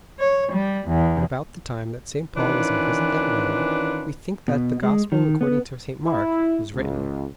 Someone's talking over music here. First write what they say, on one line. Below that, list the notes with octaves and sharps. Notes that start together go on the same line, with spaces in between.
But about the time that St. Paul was imprisoned at Rome we think that the Gospel according to St. Mark was written.
C#5
G3
E2
D#3 E3 C#4 D4 F4 B4
B2
G#3
D#3
B3
E4
C#2